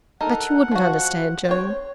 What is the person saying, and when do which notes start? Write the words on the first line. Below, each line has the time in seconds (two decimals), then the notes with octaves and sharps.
But you wouldn't understand, Joan.
0.21 D#4 A4 A#4 F#5
0.71 F3 F#4
1.49 C4 C#5